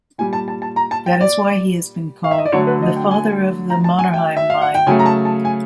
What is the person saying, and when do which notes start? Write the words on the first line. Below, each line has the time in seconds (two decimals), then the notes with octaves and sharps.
That is why he has been called ""the father of the Mannerheim line"".
0.18 A#2 G3 G#5
0.33 A5
0.48 A5
0.62 A5
0.76 A#5
0.91 A5
1.06 G5
1.21 D5
2.24 F5
2.31 E5
2.38 D#5
2.46 D5
2.52 D3 F#3 A3 C#5
2.67 B4
2.82 D#5
2.96 G5
3.11 G#5
3.70 A#5
3.84 A5
3.99 G#5
4.14 G5
4.37 E5
4.50 F5
4.62 F#5
4.75 G5
4.87 C#3 F#3 A3 G#5
4.99 A#5
5.06 A5
5.25 A5
5.45 G#5